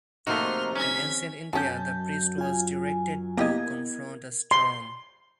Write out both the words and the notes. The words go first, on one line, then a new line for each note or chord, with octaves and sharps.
In ancient India, the priest was directed to confront a storm.
C3 F3 A3 A#3 D#4 F#4 C6 F6
C#4 G#6 B6
F#2 C#4 F#4 A5 G6
F4 G#5
A#3 B3 E4 G4 A#4 D#5 G#6
C6